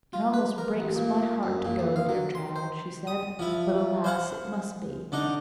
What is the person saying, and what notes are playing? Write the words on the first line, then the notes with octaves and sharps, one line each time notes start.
'It almost breaks my heart to go, dear child,' she said, 'but, alas! it must be.'
F4
B4
A#4
A1
A#2
F#2
A#2
F2
F5
F#3
C6
C5
D#6
F3 E4
C5 F5 F#5
D3 D4 D#4